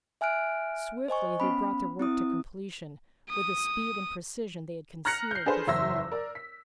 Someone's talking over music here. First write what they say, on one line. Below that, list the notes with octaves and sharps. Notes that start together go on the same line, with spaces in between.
Swiftly they brought their work to completion, with a speed and precision they had concealed before.
E5 G#5 F6 F#6 D7
C5 D#5 G#5 C#6
B3 C#4 B5
C4 E4 D#6
D#6
A#5 F6 F#6 A#6 C#7
G6 C7
D4 G#4 A4 B4 C5
F#1 E2 E5 C6 E6 A#6
A#4 D5
B6